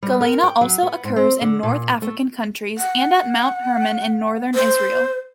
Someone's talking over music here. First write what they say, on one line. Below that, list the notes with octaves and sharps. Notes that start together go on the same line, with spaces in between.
Galena also occurs in North African countries and at Mount Hermon in Northern Israel.
G3
A#4
G5
F#3
B3
G#2
C4
D3
A#2
A3
F#5
C5